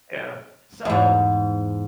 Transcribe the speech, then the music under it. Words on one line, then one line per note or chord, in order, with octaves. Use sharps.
yeah, so
E2 G#2